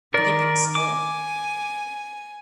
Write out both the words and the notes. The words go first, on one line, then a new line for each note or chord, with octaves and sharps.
He picked some more.
D#3 A#4 D5
G#5 D6